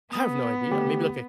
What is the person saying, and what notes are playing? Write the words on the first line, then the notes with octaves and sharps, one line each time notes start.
I have no idea. Maybe, like, a
B3 D#6
D3 A3 G4